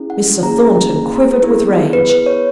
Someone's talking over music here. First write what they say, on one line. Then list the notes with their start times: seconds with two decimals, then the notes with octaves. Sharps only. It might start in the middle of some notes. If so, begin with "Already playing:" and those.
Mr. Thornton quivered with rage.
Already playing: C#4 E4 G#4
0.10 F#5
0.42 A#3 C#4 E4 G#4 A#5
1.43 B3 E4 G#4
1.93 B4
2.10 B4
2.26 C#5